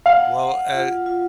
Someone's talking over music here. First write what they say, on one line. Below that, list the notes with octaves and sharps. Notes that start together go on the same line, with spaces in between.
Well, a
F5 F#5
F#5
F4
F4